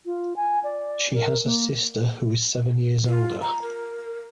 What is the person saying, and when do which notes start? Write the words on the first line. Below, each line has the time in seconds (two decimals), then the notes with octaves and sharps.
She has a sister who is seven years older.
0.06 F4
0.36 G#5
0.64 D5
1.14 A#4
1.45 A#3
3.06 F4
3.41 A#5
3.62 A#4